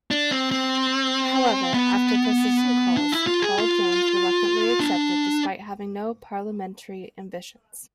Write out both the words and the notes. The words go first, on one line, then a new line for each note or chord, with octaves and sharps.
However, after persistent calls, Hall-Jones reluctantly accepted despite having no parliamentary ambitions.
D4
C4
C4
B3
D4
E4
F4
G#4
F4
D4